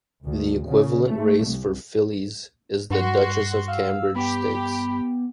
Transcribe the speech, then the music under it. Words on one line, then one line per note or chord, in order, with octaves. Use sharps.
The equivalent race for fillies is the Duchess of Cambridge Stakes.
D2
C#3
A3
C2
G2 F#4 C6
F5 E6
B3 G4 B5